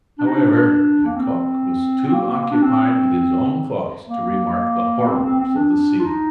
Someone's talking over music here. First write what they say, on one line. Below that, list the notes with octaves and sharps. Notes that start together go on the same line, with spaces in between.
However, Lecoq was too occupied with his own thoughts to remark the horrors of the scene.
D4
D#4
D4
A#3
C4
C4
A#3
D4
C4
A#3
A#3
C4
C4
C4
D4
F4
D#4